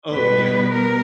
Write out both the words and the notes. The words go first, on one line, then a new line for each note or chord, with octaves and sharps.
Oh, yeah.
B2 G3 B4
A#4